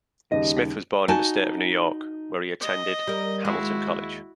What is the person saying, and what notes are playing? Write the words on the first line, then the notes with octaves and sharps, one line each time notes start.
Smith was born in the state of New York, where he attended Hamilton College.
D#2 C#3 G3 D#5
D#4 F#4 G#5 A5
D#5
G3 A#4
D#2 G#3 E4 F#4